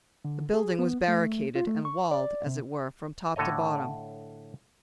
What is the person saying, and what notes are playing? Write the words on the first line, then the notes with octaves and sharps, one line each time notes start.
The building was barricaded, and walled, as it were, from top to bottom.
D3
G#4
B3
A3
F4
A3
C#6
D5
C3
A2 D3 A4 C#5 D#5